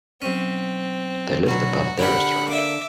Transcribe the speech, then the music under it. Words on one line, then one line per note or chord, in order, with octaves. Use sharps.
They lived above their restaurant.
B1 C4 C#4
B2 D3 F#3 F#4
D3 D4 G4 A#4 F#5 B5
A#3 D4 E5 D6